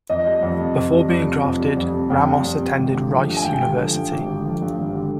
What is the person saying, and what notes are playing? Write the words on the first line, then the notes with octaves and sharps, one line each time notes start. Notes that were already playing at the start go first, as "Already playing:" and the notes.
Before being drafted, Ramos attended Rice University.
F2 D#5
G3
F2
C3
F2
G3
F2
C3
F2
G3
F2
C3
F2 G5
G3
F2
C3
G#1
D3
F3
G2
G#5
G#1 G5
D3
F3
G2
G#1
D3
F3
G2
G#1
D3